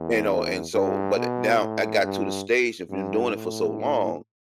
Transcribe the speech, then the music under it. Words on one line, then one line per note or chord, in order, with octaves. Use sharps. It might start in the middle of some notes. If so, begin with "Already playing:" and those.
You know, and so but i now, I got to the stage I've been doing it for so long,
Already playing: E2
G2
B2
A2
G2
G2
A2